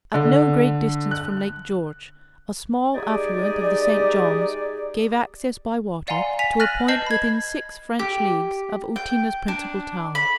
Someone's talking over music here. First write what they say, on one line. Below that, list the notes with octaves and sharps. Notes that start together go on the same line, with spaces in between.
At no great distance from Lake George, a small affluent of the St. John's gave access by water to a point within six French leagues of Outina's principal town.
D3
F#6
G#3 D#4 G4 G#4 D5
D5 F5 F#5 G#5 A#5 C6
G#5 B6 F7
F6 F#6 A6 A#6 D#7 F#7
B4 D#5 A5 G6 C7 F#7
B5 G#6
G4
G5
D4
B5